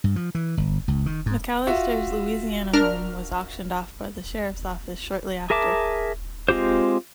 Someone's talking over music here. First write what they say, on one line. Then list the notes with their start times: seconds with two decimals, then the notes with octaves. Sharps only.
McAllister's Louisiana home was auctioned off by the Sheriff's office shortly after.
0.04 G2
0.16 F3
0.35 E3
0.57 G1
0.88 C#2
1.06 D#3
1.26 G#2
1.67 F4 F#4 E5
2.73 D4 A#4 F6
5.50 G#4 A#4 E5 A5 D6
6.49 G#3 C4 F4 G4 C5